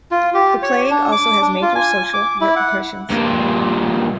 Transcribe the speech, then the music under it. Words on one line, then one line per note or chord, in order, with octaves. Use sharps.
The plague also has major social repercussions.
F4
G4
C#5
D4
D6
D4
F4
G#5
D6
E4
F#5
G2 A#2